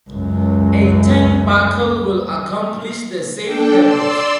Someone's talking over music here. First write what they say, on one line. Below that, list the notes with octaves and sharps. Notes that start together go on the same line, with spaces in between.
A turnbuckle will accomplish the same purpose.
C#2 F#2
D4 A4 G5
D5 C6 E6